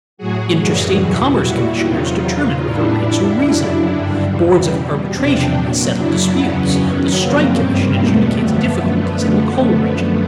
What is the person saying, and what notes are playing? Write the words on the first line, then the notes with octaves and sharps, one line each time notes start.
Interstate commerce commissioners determine whether rates are reasonable, boards of arbitration settle disputes, the strike commission adjudicates difficulties in the coal regions.
A2 F#3 F#4 G#4
F#2 C#3 E3 G3
E2 B2 F#3 E4 F#4
A#2 G3
E2 C3 D#3 F#3 D#4 F4
E2 C#3 F#3
A2 E3 G3 D4 E4
F2 D3 G3
F#2 C#3 F#3
G2 D3 G3
E2 C#3 E3 G3
B2 G3
E2 C3 F3 C4 D4
A#2 F#3
F#2 C#3 F#3 D4 E4
E2 C#3 F#3 B3 C#4
F#2 D#3 F#3
F#2 C#3 F3 A#3 C4
G2 D#3 G3
E2 B2 G3 A3 B3
F#2 D3 F3